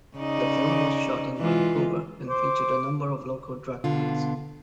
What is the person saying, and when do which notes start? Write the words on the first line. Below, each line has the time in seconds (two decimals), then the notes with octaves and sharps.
The film was shot in Vancouver and featured a number of local drag queens.
0.17 C#3 D#4 D5
1.37 E3 G#3 F4
2.29 C5 D6
3.84 B2 D3 F4